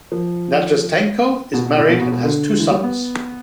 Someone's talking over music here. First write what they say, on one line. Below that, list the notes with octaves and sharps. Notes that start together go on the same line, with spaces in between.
Nazdratenko is married and has two sons.
F3
B2
B2
A2
B2
B2
B2
D3
E3
G3
B3